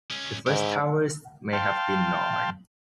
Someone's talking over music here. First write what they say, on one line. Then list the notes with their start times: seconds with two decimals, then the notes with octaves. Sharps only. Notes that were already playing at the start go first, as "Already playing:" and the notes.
The first towers may have been Norman.
0.11 G#3 C#4
0.47 G#2 E4 G4
1.53 F5 G5 A5 C6